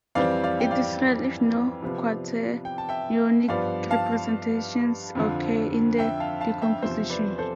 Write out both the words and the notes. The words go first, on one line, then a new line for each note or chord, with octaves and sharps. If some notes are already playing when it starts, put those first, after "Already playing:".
It is real if no quaternionic representations occur in the decomposition.
F2 E3 G3 C4 D5 F5
D5 F5
G5
D5 F5
C3 F3 B3
G5
A5
E5 G5
G2 F3 B3 D5 F5
F5 A5
F2 D3 F3
E5 G5
F5 A5
F5 A5
E5 G5
E2 C3 F3 C4 C5 E5
B4 D5
A4 C5